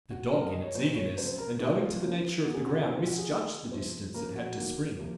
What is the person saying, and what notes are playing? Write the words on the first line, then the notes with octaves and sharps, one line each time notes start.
The dog in its eagerness, and owing to the nature of the ground, misjudged the distance it had to spring.
F#4
C#3 F#3 C4 A#4
D#5
C#5
A#2 F#3 C4 C5
C#5
C#3 F#3 C4 C5
A#4
C3 D#3 A#3 D#4
F4
C#3 F3 A#3
D#3 A#3 F#4
G#4
F#4
F4
A#2 F3 G#3 C4 D#4
F4
F#4
G#4
D#3 A#3
C3 F3 C4
C#3 F3 A#3 A#4
F#4
D#3 F#3 A#3
C3 F3 A#3